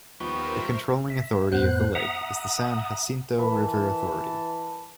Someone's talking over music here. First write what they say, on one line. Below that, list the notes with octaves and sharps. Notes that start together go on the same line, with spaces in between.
The controlling authority of the lake is the San Jacinto River Authority.
D#2 F3 G3 B3 A#4 C5 E5 C#6
E5
F2 A2 B3 C5 F#6
E5 F#5 A#5 D#6
E3 A#4 B4 A5 B5